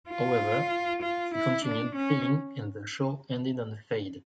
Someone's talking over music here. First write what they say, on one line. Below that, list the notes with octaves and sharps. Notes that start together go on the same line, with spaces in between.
However, they continued playing and the show ended on a fade.
F4
F4
E4
D4
C#4